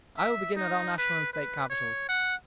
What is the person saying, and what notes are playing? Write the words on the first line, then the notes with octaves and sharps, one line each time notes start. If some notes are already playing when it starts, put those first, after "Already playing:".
I will begin at our national and State capitals.
E5
D#4
B4
B4
C#5
F#5